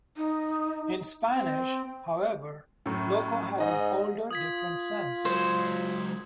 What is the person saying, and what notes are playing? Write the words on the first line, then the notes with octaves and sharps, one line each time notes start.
In Spanish, however, "loco" has an older, different sense.
D#4
C4
F#2 A2
G#2 D#4 D#5
F4 D#6 G#6 B6
C#2 F#3 C5